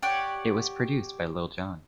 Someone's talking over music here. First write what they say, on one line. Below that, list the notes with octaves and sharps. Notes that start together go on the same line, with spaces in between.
It was produced by Lil Jon.
G4 C#5 D5 F#5